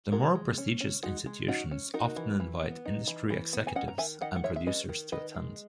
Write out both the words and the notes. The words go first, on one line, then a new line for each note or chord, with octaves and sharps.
The more prestigious institutions often invite industry executives and producers to attend.
G#3 F#4 A#4
G#3
C#4
C#4
G#3 D#4 F#4
G#3
C#4 D#4 F#4
C#4
D#4 F#4 A#4
E3
E3
B3
D#4
E3
E3
B3
G#5
C#4 D#5 F#5
A#5
D#3 E5 G#5
D#3 D#5 F#5
F#5
G#3 C#5 E5
E5
C#4 B4 D#5
D#3
D#3 B4 D#5
G#3